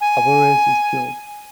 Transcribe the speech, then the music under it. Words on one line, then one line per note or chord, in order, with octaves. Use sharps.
Alvarez is killed.
G#5